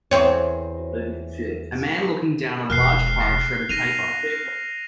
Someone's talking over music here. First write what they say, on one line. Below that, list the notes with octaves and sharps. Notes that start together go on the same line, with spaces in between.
A man looking down at a large pile of shredded paper.
E2 C4 C#5
E1 B2 F6 F#6 C7
D#4 A#6 D#7 F7